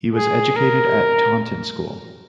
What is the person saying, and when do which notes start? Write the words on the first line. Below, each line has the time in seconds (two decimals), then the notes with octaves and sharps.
He was educated at Taunton School.
0.16 G#4
0.56 A#4